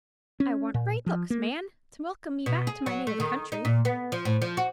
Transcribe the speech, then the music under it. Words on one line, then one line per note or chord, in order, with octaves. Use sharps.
I want bright looks, man, to welcome me back to my native country.
C#4
A#2
F3
A#3
B2
G#4
F#3
A3
D#3
D#4
A#2
B3
F3
A2
F3
F#4